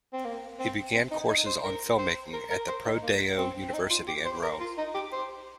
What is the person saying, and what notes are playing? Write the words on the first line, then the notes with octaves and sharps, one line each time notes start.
He began courses on filmmaking at the ProDeo University in Rome.
C4
A#3
C4
C4
D#4
D#4
C5
A#4
C5
A#4
A#4
C5
D#4
A#3
C4
C4
D#4
F4
G4
C5
A#4
F4
D#4
G4
C5